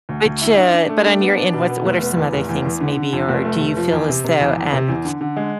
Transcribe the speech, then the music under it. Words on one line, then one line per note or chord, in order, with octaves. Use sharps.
Which, uh, but on your end, what's what are some other things maybe? Or do you feel as though, um,
D2
D2
E4
D4
D4
A3
D4
B3
D4
B2
B3
F1
B3
E2
F1
E2
E2
D3
D3
F2
F1
A3
F1
F3
E2
C3
C3
E2
E2
C3
E2
D3
D3
G#3